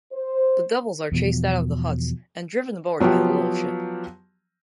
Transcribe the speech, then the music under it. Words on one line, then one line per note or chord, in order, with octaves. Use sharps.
The devils are chased out of the huts and driven aboard the little ship.
C5
E2 B2 F3
F3 F#3 B3 F4 G4